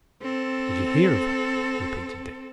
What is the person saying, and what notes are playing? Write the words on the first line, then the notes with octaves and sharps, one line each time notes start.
"Did ye hear of her?" repeated Dick.
C4 A4